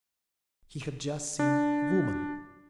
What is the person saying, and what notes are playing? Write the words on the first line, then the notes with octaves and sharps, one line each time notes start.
He had just seen Woman.
D4